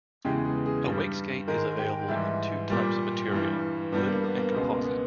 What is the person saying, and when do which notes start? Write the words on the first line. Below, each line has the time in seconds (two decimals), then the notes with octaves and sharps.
A wakeskate is available in two types of material: wood and composite.
0.25 E2 C#3 E3 G#3 G4
0.45 G#4
0.66 G#4
0.86 G2 G3
1.48 G#2 D#3 G#3 A#4
1.79 G4
2.08 G#2 E3 G3 E4
2.70 A#2 G3
3.31 G2 E3 G3
3.92 G2 G3 B3
4.08 A#3
4.23 B3
4.38 A#3
4.54 C#2 B2 G#3 B3
4.70 A#3
4.85 B3